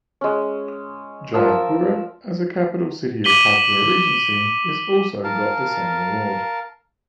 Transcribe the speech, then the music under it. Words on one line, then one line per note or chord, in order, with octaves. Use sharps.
Jayapura as a capital city of Papua Regency is also got the same award.
G#3 C#4
F3 A#4 A5 E6
D6 B6 D#7 F#7 G7
A#4 F5 A5